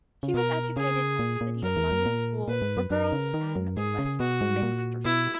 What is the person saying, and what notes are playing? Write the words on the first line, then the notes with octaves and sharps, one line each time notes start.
She was educated at the City of London School for Girls and Westminster School.
C#3
B2 A#4
C#3 G#4
A#2
A#2
F#2 A#4
E2
F#2
A#2
A#2 B4
G#2
F#2
F#2 A#4
C#3
D#3
F#2
G#2 G#4
C#3
B2 F#4
G#2
A#2
B2 E4